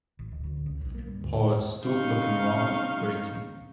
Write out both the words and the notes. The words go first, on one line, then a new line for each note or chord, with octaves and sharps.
Paul stood looking round, waiting.
G#1
D1
D2
C#2
B1
A#3
G2
D2
A2
C#3 C4 D#4 F5 C#6 G6